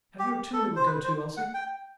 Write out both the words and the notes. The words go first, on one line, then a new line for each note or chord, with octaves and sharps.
"Have you a tune it would go to, Elsie?"
G4
A4
C5
B4
C5
F#5
G5